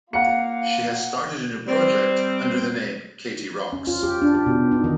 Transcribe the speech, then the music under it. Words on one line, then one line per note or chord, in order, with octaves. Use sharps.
She has started a new project under the name Katie Rox.
A#3 F4 F5 F#5 C#7
G3 C4
C#4
F4
G4
D4
G4
B2
D#4
D#3